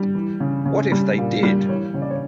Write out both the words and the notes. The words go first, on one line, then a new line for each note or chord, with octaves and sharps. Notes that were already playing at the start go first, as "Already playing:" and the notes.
What if they did!
Already playing: G3
E3
C#3
C#3
G3
A#2
G3
E3 C#5
C#3 C#5
D5
C#5